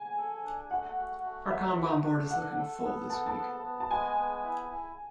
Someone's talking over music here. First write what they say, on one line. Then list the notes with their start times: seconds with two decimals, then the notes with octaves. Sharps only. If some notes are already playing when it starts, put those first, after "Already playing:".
Our Kanban board is looking full this week.
Already playing: G#5
0.18 A4
0.44 D4
0.71 A3 F#5
0.97 F#4
1.24 A3
1.51 F#4 E5
1.77 A3
1.90 E5
2.04 D4
2.31 A4 F#5
2.56 A4
2.84 B3
3.10 A4 A5
3.26 A5
3.37 B3
3.63 B3
3.80 A5
3.90 G#3 G#5
4.17 B3
4.44 E4
4.70 E4